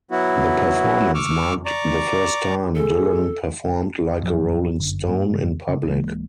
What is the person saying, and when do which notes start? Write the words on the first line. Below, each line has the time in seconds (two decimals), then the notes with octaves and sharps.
The performance marked the first time Dylan performed "Like a Rolling Stone" in public.
0.11 F#3 B3 E4 F#4
1.15 C#6 D6 E6 F6
1.66 D5 A#5 C#6 D6
2.75 G#4 A4
4.22 A1 F2 F3 F#3
4.80 G1 F#2 D3
5.08 G2 A#3
5.69 C#3
5.88 D1 E3 G#3 A#3